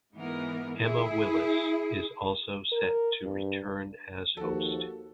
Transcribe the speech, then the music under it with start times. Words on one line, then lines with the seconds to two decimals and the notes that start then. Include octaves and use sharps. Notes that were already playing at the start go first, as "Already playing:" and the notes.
Emma Willis is also set to return as host.
0.14 G#2 E3 B3 A#4
0.78 E4 G#4
2.72 A#4
3.23 G2
4.37 D#2 F3 F#4 A4